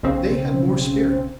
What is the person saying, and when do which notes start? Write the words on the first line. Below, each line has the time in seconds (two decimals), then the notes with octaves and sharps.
They have more spirit.
0.03 B1 C#3 C4